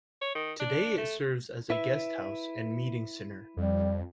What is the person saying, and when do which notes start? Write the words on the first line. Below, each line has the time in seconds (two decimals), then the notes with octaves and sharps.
Today it serves as a guesthouse and meeting center.
0.21 C#5
0.35 D#3
0.60 D4
0.98 A3
1.70 E4 B4 E5
3.57 F2 G3